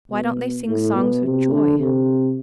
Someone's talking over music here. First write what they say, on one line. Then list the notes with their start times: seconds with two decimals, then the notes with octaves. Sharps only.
Why don't they sing songs of joy?
0.11 B2
0.67 A2
0.95 B2
1.23 C3
1.51 D3
1.79 C3